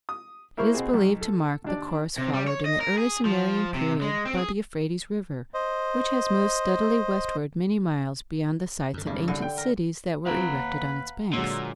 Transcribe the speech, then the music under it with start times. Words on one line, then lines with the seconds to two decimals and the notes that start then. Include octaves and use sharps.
It is believed to mark the course followed in the early Sumerian period by the Euphrates river, which has moved steadily westward many miles beyond the sites of ancient cities that were erected on its banks.
0.09 D#6
0.57 A#3 E4 A#4 C5 C#6
0.73 B2 C4 G#4 C5
0.94 B1
1.21 A4
1.64 D#2 D4 D5
2.18 C3
2.33 G3
2.47 C#5
2.65 D#5
2.81 A#4
2.98 G#4
3.25 F3
3.75 C3
4.02 G#3
4.25 C4
4.38 G#4
5.54 C5 D#5
8.94 F#2 D3
9.07 G#1 G2 C#3
9.28 C2 D3
9.42 G5
9.58 A#4
10.26 F3 C4 B4 F5 F#5 A#5
10.50 D#2
11.33 A#2 D3 F#3 G#3 E6